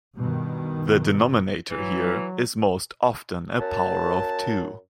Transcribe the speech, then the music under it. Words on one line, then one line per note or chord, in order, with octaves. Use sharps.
The denominator here is most often a power of two.
G2 B2 D#3
E3 F#3
F#2 A5